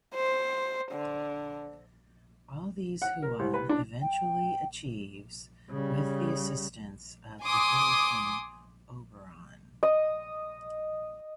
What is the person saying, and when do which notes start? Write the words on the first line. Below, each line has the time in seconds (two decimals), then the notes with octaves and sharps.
All these Huon eventually achieves with the assistance of the fairy king Oberon.
0.15 C5
0.93 D3
3.02 F#5
3.22 A#4
3.39 C2
3.54 B4
3.69 D4
4.02 G5
5.70 C#3 G3
7.42 G#5 C6 D6 D#6
9.83 D#5